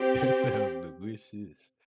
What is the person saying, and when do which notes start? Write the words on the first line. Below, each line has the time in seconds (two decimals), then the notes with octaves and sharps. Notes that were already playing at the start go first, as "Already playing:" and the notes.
that sounds delicious.
Already playing: C4 G4